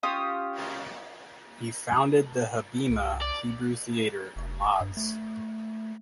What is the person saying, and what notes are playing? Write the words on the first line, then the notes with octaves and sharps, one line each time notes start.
He founded the Habima Hebrew Theater in Lodz.
C#4 F4 G4 D#6
C2
D5
F1
G2
A3